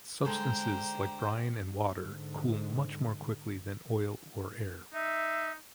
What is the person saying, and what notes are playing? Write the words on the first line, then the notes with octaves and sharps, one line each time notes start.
Substances like brine and water cool much more quickly than oil or air.
D3 G#3 A4 C5 G5 A#5
G#2 D3
D#4 E5